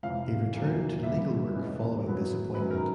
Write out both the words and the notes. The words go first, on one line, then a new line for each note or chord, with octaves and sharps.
He returned to legal work following this appointment.
F2 C3 E3 F5
E2 C3 D#3 F#3 A#3
B2 G3 A#3 E5
E2 C#3 E3 G#3 B3
A2 F#3 B3
F#2 D#3 F#3 B4
A#4